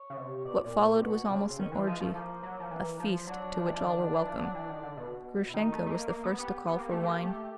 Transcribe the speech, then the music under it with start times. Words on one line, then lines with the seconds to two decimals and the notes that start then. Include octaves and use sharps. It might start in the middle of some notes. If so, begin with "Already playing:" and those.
What followed was almost an orgy, a feast to which all were welcome. Grushenka was the first to call for wine.
Already playing: C#5
0.10 C#3
0.17 C3
0.37 C#5
0.45 B2 D5
0.64 A#2 D5
0.83 A#2 C5
0.95 G4
1.02 B2 F#4
1.30 C#3 D4
1.47 C4
1.59 D#3 C#4
1.72 E3 C4
1.87 F3 G#3
2.00 F3 A3
2.14 F3 A#3
2.43 F#3
2.60 F3
2.71 E3
3.00 F3
3.27 F#3 D4
3.56 F3
3.65 E3
3.74 F3
3.84 D#3
3.98 D#3
4.13 E3
4.26 F3
4.41 F#3
4.55 E3
4.69 D#3
4.83 D3
4.97 B2
5.49 E4
5.54 D#3 D#4
5.72 A3
5.86 A3
5.91 A#3
6.10 A#3
6.24 B3
6.38 B3 G4
6.67 B3 G4
6.79 A#3
6.91 A3
7.03 A#3
7.22 A3